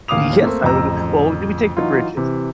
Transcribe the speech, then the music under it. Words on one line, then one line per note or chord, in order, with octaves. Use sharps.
Yes, I would Well, do we take the bridges?
D1 D#2 F5 D6 D#6 F7
A3 A#3 C4
D1 F2 C#3 D#5 A#5 E6
E3 F#3 D#4 F4
C3 E3